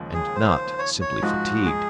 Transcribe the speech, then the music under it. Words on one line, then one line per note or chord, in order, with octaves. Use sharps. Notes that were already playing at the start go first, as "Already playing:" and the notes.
And not simply fatigued!
Already playing: D#2 C#3 F3 G#3
G#4
C5
C#5
C#5
G#2 F3 G#3 F#4
G#4